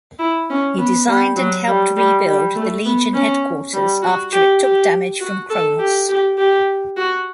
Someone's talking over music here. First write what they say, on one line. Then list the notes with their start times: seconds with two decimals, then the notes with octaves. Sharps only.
He designed and helped rebuild the Legion Headquarters after it took damage from Chronos.
0.19 E4
0.50 C#4
0.78 B3
1.08 G3
1.37 F#3
1.67 G3
1.96 G3
2.26 G3
2.55 A3
2.85 B3
3.14 C#4
3.73 G3
4.03 F#4
4.33 G4
4.62 G4
5.20 F#4
5.50 A4
5.79 G4
6.09 G4
6.38 G4
6.97 F#4